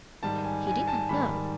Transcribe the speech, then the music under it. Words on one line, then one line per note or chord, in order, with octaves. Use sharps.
He did not know.
G#2 D#3 G3 A5
G#5
G#5
A5
G#2 D#3 G3 B5